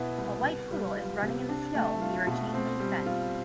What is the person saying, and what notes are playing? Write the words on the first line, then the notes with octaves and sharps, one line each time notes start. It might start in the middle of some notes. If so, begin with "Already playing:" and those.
A white poodle is running in the snow, near a chain link fence.
Already playing: B2 B3 E4
C2
B3
G3
F4
C3
D4
A3
F4
B2
C4
G3
F4